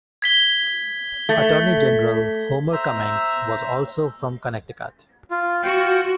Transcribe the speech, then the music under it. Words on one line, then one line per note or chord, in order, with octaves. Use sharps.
Attorney General Homer Cummings was also from Connecticut.
G#6 B6 G7
A3
C5 E5 A#5
F4
F4 F#4 G5